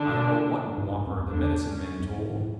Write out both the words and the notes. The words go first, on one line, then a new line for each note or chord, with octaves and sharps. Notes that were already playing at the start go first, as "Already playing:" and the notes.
I don't know what whopper the medicine men told.
Already playing: D3 D4
B2
G#2
G#2
F#2
E2
D3 D4
C#4
F#2
A2
A2